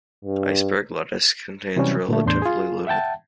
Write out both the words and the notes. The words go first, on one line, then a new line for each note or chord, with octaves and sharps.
Iceberg lettuce contains relatively little.
G2
C3 E3 F#3 G3 C#4
A#2 D3 A3
E2 A2 D4 C6 G6
F4 G#4
E5 F#5 G5 A5